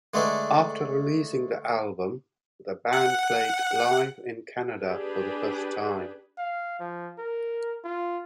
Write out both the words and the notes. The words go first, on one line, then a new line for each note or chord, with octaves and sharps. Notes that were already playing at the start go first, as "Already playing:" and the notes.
After releasing the album, the band played live in Canada for the first time.
D3 G#3 A3 D4 B4
F#5
D4 G4 G#4 B4
F5
F3
A#4
F4